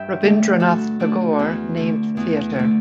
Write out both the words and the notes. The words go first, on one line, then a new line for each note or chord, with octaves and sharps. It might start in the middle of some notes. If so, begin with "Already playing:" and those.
Rabindranath Tagore named the theatre.
Already playing: G2 E5 G5
D3 A3 D4
G2 F#4 A4
D3 A3 D4
E2
D3 A3
E2
D3 A3